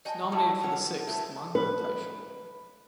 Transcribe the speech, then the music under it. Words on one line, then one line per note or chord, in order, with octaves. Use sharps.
It was nominated for the sixth "Manga Taisho".
F#3 D#5 G5 G#5
G3 A3 E4 A4
C3 C#4 C#5 F#5
B3
F#3 G#3 A3 E4
B4